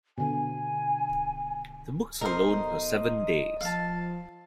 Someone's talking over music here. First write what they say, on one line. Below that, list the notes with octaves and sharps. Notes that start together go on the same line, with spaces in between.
The books are loaned per seven days.
B2 D3 D4 G#5
B1 A4 A#4 C5 D#5 A#5
F3 F5 A5